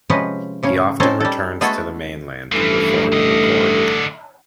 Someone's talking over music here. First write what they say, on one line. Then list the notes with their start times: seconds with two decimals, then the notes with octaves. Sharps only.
He often returns to the mainland to perform and record.
0.10 C3 F3 G#3 C#4 B4 D#5
0.63 A2 C#3 C#4
1.00 C4 C#4 D#4 A4 C5
1.20 G3 A4
1.61 G#3 A3 B3 F#4 G#4 A4
2.52 A1 G2 E3 F3 A3
3.12 D3 D#5